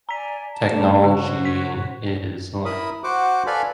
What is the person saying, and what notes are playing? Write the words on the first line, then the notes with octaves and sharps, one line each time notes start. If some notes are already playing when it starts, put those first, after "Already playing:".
technology is, like
D5 G#5 A#5 B6
A5
A3 C#4 D4
C#3 F#4 G4 C5 C#5
B6
E4 A#4 B5 D#6
F#4 C5 F#5 D6
A4 B4 D5 F5 G#5 B5